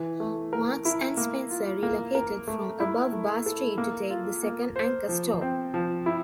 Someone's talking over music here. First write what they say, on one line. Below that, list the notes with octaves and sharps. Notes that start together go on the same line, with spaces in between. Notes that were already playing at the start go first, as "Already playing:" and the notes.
Marks and Spencer relocated from Above Bar Street to take the second anchor store.
Already playing: E3
A3
A#4
E4
A#3
F4
A#3
A#4
A3
E4
A3
A4
A#3
F4
A#3
C5
F3
C4
F3
E4